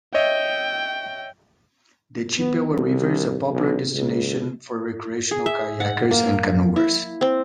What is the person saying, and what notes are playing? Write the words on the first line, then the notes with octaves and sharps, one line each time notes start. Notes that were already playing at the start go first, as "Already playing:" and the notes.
The Chippewa River is a popular destination for recreational kayakers and canoers.
C#5 D#5 E5 G5
B3
C2
B1
C#2
G#4
E5
F#5
A#3
E4
C4